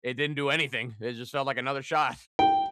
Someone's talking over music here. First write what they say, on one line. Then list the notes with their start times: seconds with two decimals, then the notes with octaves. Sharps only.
it didn't do anything, it just felt like another shot.
2.39 G5